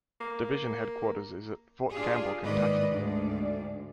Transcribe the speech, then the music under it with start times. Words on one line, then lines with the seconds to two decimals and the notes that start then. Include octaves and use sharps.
Division headquarters is at Fort Campbell, Kentucky.
0.21 A#3
1.91 D4 F4 G4 G#4
2.42 G#2 D#3 A#3 B4 D5 D#5
2.91 D2 G#2 D5